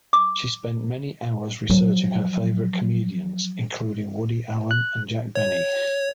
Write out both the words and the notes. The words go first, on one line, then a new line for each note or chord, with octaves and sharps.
She spent many hours researching her favorite comedians, including Woody Allen and Jack Benny.
D6
F3 F#3
F#6
C#5